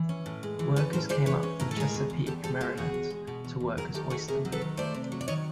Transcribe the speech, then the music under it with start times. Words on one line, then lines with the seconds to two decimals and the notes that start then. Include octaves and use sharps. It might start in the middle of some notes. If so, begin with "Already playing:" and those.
Workers came up from Chesapeake, Maryland, to work as oystermen.
Already playing: E3
0.09 C#4
0.26 A2
0.43 G#3
0.59 E3
0.76 C#4 A4 B4
0.93 A2 A#4 C5
1.09 G#3 C5 D5
1.26 E3 B4 C#5
1.43 C#4
1.60 A2 A#4
1.71 A4
1.76 G#3 G#4 A#4
1.94 B2
2.10 E2
2.26 E2 G4 A4
2.44 G#3 G4 A4
2.61 B2 F4 G4
2.77 E2 F#4 G#4
2.94 E2
3.10 G#3
3.27 B2
3.44 E2
3.60 E2
3.77 F#3 G#4 A#4
3.94 D#3 G4 A4
4.10 A3 F#4 G#4
4.28 C3 G#4 A#4
4.45 F#3
4.52 A4 B4
4.61 D#3
4.77 A3 C5 D5
4.94 C3
5.12 F#3
5.21 D5
5.28 D#3 C#5 D#5